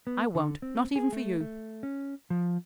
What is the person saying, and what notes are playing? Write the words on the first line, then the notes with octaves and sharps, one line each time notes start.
I won't, not even for you.
B3
D3
C4
G#4
A3
A3
C#4
F3